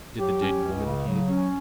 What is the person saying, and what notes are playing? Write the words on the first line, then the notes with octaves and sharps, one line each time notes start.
Did the dead woman hear them?
F#3 G4
C#4
C#2
C#3
F#3
C#4